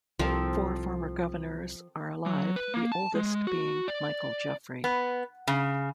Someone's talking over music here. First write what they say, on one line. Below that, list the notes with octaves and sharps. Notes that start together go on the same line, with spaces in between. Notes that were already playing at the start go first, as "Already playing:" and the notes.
Four former governors are alive, the oldest being Michael Jeffery.
C2 F3 C4 A4 A#4
F#3
B4
A#3
A5
G#3
F#4
D5
B3
C#3